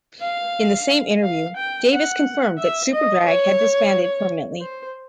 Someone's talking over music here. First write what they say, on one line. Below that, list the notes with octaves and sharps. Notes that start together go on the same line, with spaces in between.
In the same interview, Davis confirmed that Superdrag had disbanded permanently.
F5
F5
G5
F#5
E5
D#5
C#5
C5